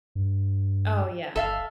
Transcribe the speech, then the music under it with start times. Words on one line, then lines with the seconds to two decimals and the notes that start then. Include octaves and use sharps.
Oh yeah.
0.15 G2
1.36 G1 A4 E5 F5